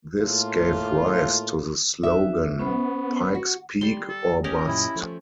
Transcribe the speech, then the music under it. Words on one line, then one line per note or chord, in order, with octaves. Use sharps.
This gave rise to the slogan, Pike's Peak or Bust.
A2 A3 A#3 F4
D#4 F#4 E5
B3 C#4 C5 B5
F#4
G3 C6
A4
C#4 G4 A#4 D#5
F#2 A#2 E4
F3 A3